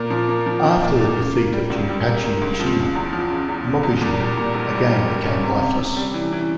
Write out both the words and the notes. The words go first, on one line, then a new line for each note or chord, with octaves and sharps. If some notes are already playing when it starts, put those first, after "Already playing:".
After the defeat of Jinpachi Mishima, Mokujin again became lifeless.
Already playing: A#2 A#3
F3
A#3
F3
F3
A#2
A#2
C#3
A#3
G3
C#2
G3
A#3
A#3
C#2
F3
C#3
E2
F3
C#3
E2
C#3
E2
A#2
G3
A#2
A#1
G3
G3
G3
C#4
C3
C3
C3
G3
E3
E3